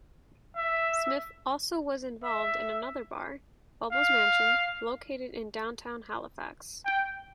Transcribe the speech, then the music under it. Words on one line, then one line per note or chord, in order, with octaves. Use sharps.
Smith also was involved in another bar, "Bubbles' Mansion", located in Downtown Halifax.
E5
E5
F5
G5